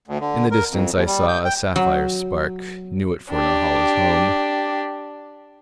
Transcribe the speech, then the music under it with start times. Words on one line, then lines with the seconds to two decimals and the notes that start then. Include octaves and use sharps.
In the distance I saw a sapphire spark; knew it for Norhala's home.
0.08 D2
0.21 D3
0.51 A#4
0.71 F2
0.95 D#2
1.06 G3
1.28 G6
1.45 G5
1.76 F#3
3.31 D4 G4